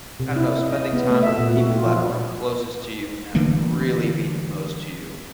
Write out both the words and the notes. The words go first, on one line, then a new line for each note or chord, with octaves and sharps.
I don't know, spending time with the people that are closest to you, and that really mean the most to you,
C3
E4
D#5
B3
A3
E5
A#2
F#4
F4
F3
D3 E3 A3 A#3